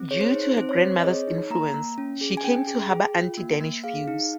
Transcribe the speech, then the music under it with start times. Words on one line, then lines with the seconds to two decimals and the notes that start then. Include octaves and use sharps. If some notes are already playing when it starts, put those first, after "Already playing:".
Due to her grandmother's influence, she came to harbor anti-Danish views.
Already playing: C4
0.11 G#4 C#5
0.21 C5
0.34 D#4
0.42 C5
0.57 C4 C5
0.69 C#5
0.81 C4 C5
1.00 D#5
1.04 G#4 C#5
1.28 D#4
1.50 A#3 A#5
1.74 A#3
1.98 C#4
2.21 G#4
2.37 G#5
2.44 C#4 G5
2.67 G#4
2.90 G#4
3.15 F4
3.38 A#3
3.61 A#3
3.84 G#4 F5
4.08 D#4